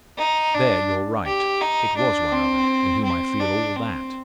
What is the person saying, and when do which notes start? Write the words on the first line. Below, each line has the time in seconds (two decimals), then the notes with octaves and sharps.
"There, you're right, it was one other, in whom I feel all that."
0.18 D#4
0.54 D4
1.26 G4
1.61 D#4
1.97 D4
2.32 C4
3.04 C4
3.40 D4
3.76 C4